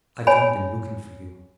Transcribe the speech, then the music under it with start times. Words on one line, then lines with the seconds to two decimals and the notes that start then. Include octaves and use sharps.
I found him looking for you.
0.27 C#5 G#5 B5